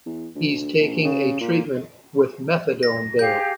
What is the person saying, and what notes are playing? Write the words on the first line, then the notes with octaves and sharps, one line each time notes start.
He’s taking a treatment with methadone there.
E2
D2
A#1
C#3
A#2
A#6
G4 G#4 F5 G6